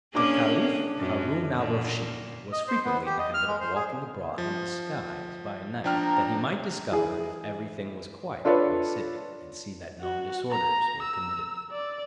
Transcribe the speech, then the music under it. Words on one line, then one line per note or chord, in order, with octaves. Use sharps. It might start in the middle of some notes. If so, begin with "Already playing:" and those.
The caliph Haroon al Rusheed was frequently in the habit of walking abroad in disguise by night, that he might discover if every thing was quiet in the city, and see that no disorders were committed.
A#3 C#4 D4 G#4 D6
F#2
A#2
D#5
C5
B3
G4
D#5
F6
G#3
C5
G#4
F3
F3 D4 G5 A#5 F6
E3 G#4
D4 F4 A4 B4 C#5 D5
F#4
A#5
E6
D5